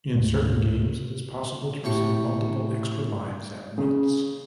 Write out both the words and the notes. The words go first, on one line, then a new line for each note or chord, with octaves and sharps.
In certain games, it is possible to receive multiple extra lives at once.
D2 G#2 C#3 A3
A2 G4 C#6
C#3